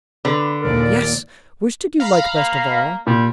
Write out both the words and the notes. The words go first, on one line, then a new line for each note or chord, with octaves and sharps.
"Yes! which did you like best of all?"
D3 B4
D#2 A#2 A#4 D5
F5 A#5 B5
A#3
A#2 G3